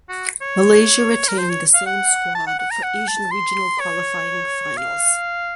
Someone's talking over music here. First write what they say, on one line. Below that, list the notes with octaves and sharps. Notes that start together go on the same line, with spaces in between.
Malaysia retained the same squad for Asian Regional Qualifying Finals.
F#4
C#5
A#4
C5
C#5
F5
F#5
A5
F#5
F#5
A#5
F#5
A5
C6
C#5
F5